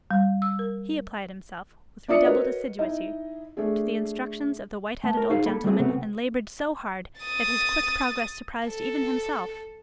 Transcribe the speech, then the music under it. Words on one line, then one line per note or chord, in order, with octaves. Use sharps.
He applied himself, with redoubled assiduity, to the instructions of the white-headed old gentleman, and laboured so hard that his quick progress surprised even himself.
G3
E6
A#4
D4 F4 D5 E5 D#6 C#7
F#4 A#4 B4 C#5 D#5
D#4 E4 D#5
A3 D4 G#4
A3 A5
A#4
D#4 F#4 G#4 C5 F5
A#3 A4 B5
G3 A3 C4 F4 G#4
C3 F#3 A3 B3 C4
D#6 A6
A4